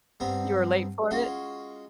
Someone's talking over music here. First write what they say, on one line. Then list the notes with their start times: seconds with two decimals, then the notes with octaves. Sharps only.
You were late for it?
0.20 G2 B3 C4 A#5
1.11 G#3 C#4 F4 F#4